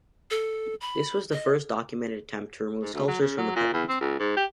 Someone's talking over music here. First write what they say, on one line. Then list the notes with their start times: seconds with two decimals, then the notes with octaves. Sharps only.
This was the first documented attempt to remove sculptures from the pediments.
0.31 A4
0.81 B5
1.32 D#5
2.82 G#2
2.94 D2
3.08 F#3
3.21 C#3
3.38 F#3
3.56 A#2
3.73 E2
3.89 C4
4.01 C#2
4.20 G#2
4.37 G4